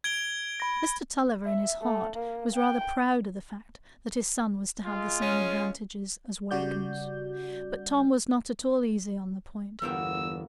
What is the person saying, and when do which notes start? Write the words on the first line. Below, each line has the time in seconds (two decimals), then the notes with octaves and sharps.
Mr. Tulliver in his heart was rather proud of the fact that his son was to have the same advantages as Wakem's; but Tom was not at all easy on the point.
0.04 G#6 D7 G7
0.60 B5 A#6
1.46 E5
1.82 A3
2.16 A#3
2.54 G5
4.85 G#3 F4
5.22 C#4
6.51 C#3 G3 F#4 D5 G6
9.82 G1 E2 A#3 B3 F#4 A#4 G5 E6